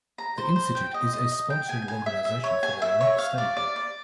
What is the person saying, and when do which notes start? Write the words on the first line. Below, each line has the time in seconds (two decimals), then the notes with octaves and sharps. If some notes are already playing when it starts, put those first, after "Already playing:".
The institute is a sponsoring organization for the Iraq Study Group.
0.18 A#5
0.38 C5
0.56 C5
0.75 G5
0.94 D#5
1.13 D#5
1.32 D#5
1.50 G5
1.69 G#5
1.88 G#5
2.06 E5
2.25 E5
2.44 C#5
2.63 G#5
2.82 E5
3.01 C#5
3.18 F5
3.38 D5
3.57 D5
3.76 D5